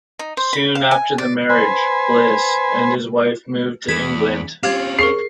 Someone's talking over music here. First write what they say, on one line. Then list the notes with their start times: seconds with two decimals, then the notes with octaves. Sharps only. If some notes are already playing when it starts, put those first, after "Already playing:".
Soon after the marriage, Bliss and his wife moved to England.
0.19 D#4
0.37 C5
0.53 B5
0.75 F5
0.91 G#5
1.18 D5
1.50 B4 C5 G#5
3.89 E2 B5 G#6 E7
4.63 C4 C#4 F4 G4 F5 G#6
4.99 G#4 A#4 C#6 C7